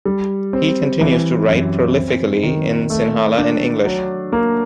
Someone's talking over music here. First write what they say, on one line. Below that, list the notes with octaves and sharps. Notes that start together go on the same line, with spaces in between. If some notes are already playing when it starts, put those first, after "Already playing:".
He continues to write prolifically in Sinhala and English.
G3
C4
E3
F#2
C4
D#3
A3
D4
F#3
A#3